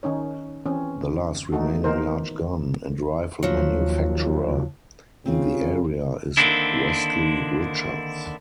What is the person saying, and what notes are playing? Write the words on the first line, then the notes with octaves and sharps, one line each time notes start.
The last remaining large gun and rifle manufacturer in the area is Westley Richards.
D#3 C#4 D#4 C#5
E3 C4 C#4
D3 E3 A3 D#4 F#4 A4
D#3 E3 B3 D#4 A#4 C5
D#2 F3 F#3
C#3 C4 F4
D3 D#3 A#3 C4 D4 E4